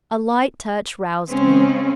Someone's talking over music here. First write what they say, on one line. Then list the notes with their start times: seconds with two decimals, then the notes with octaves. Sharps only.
A light touch roused me.
1.27 C#3 G#3 C4 C#4